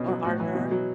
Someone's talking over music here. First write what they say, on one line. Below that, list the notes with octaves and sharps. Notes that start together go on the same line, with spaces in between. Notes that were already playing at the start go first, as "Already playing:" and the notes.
Or harder?
Already playing: B2 C#4
F#3
A2 F#4
E3
B2
F#3